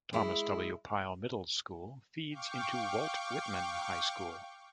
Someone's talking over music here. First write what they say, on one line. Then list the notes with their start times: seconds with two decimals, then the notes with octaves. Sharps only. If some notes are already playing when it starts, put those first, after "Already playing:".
Thomas W. Pyle Middle School feeds into Walt Whitman High School.
0.13 G#3 E4
2.31 F5 G5 C#6 D6